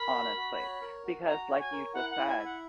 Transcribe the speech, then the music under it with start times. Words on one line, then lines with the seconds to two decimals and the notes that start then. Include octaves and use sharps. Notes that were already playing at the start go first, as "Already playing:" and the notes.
honestly. Because like you just said,
Already playing: A#4 B5
0.14 F#4
0.36 F#4
0.59 C#5
0.81 A#4
1.04 F#4
1.26 F#4 A#5
1.49 C#5
1.59 G#5
1.72 A#4
1.94 E4 F#5
2.10 F#5
2.16 E4
2.27 G#5
2.39 E5
2.44 F#5